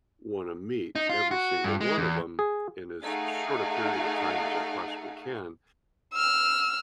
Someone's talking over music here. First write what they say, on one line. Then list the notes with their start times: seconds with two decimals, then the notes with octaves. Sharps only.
wanna meet every single one of 'em in as short a period of time as I possibly can.
0.96 D#4
1.09 F4
1.31 F#4
1.64 G2
1.81 G#3
1.98 E2
2.39 G#4
3.03 A3 D#4 G#4 F5 F#5
6.14 E6 F6